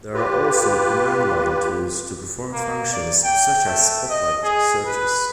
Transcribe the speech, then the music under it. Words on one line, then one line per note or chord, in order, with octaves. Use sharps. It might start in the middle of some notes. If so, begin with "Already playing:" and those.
There are also command-line tools to perform functions such as Spotlight searches.
F4 G4 B4
A#3
D5
G5
A3
D#5
G#4
B4